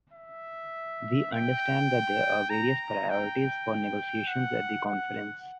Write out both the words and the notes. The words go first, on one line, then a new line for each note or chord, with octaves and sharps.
We understand that there are various priorities for negotiations at the Conference.
E5
G5
A#5
G5
F#5
F#5